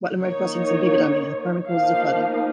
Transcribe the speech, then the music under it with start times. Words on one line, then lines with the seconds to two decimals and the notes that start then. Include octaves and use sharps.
Wetland road crossings and beaver damming are the primary causes of flooding.
0.22 D#3 A#3 D#4 C#5
1.69 F3 A#3 D#4 F5